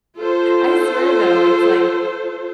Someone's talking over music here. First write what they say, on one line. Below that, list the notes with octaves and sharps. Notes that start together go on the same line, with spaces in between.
I swear, though, it's, like
F4 A4 C5